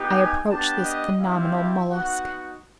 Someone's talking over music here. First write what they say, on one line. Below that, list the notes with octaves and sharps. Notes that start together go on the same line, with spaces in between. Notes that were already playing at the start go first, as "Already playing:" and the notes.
I approached this phenomenal mollusk.
Already playing: B3 D#4 G4
G#5
B3 D4 G4 A5
D#5
G3 C4 E4 G4 F5
B3 D#4 F#4 F#5